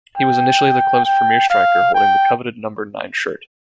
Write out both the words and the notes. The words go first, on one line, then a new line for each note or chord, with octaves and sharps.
He was initially the club's premier striker, holding the coveted number nine shirt.
G5
G5
F5
G5